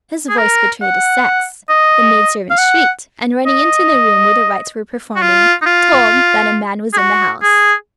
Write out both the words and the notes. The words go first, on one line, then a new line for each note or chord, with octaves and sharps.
His voice betrayed his sex; the maid servant shrieked, and running into the room where the rites were performing, told that a man was in the house.
G#4
A#4
F#5
D#5
F5
F#5
D#5
F#4
F4
D#4
F4
G#4
F#4
G#4